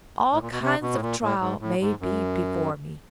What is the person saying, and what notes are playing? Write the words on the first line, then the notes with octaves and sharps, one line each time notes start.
All kinds of trial may be before me.
A2
A#2
B2
C3
B2
A2
A#2
A2
G#2
A2
G#2
F#2